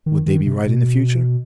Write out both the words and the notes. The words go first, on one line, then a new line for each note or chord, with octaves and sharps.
Would they be right in the future?
D#3
D#3
C3
B2